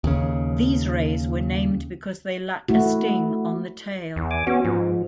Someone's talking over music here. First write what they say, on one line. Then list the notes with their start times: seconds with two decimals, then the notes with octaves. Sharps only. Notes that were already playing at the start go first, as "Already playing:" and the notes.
These rays were named because they lack a sting on the tail.
0.04 D#2 C#3
2.69 A3 E4 F#4
4.16 E2
4.31 G#5 D6
4.47 B3 C#4 F#4
4.65 G#2 F3